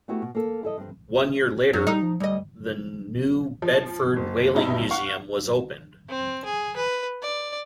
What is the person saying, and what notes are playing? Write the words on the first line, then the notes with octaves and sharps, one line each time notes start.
One year later, the New Bedford Whaling Museum was opened.
A3 B3 E4 F#4 G4
B2
A#3 A4
E4 A4 D#5
G2 C4
F#2 F#3
G3 D#4
F3
D2 G3 D#5
F3
F#1
G2 B2 D#4 E4
F5 F#5 C#6
C4
G#4
B4
D5